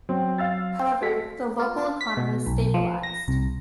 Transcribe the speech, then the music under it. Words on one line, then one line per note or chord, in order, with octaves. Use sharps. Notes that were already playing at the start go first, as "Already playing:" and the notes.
However, the local economy stabilized.
F#3 C4
F5 E6 A6
F#4 A4 B6
F4
B6
B2
B1
F3
A#6
C2